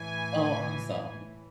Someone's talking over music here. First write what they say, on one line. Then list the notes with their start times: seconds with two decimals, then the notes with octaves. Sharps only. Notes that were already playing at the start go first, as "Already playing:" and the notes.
Oh, awesome.
Already playing: A2 E3 G#5